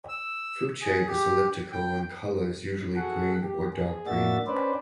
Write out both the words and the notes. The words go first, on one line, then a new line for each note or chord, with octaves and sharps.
Fruit shape is elliptical and color is usually green or dark green.
E6
G#4
G4
G5
F#4 G#4 A4 F#5
G4
G#4
A2 A#3 D4 F#4 E5 A6
C#4 D4 B4 C5 D5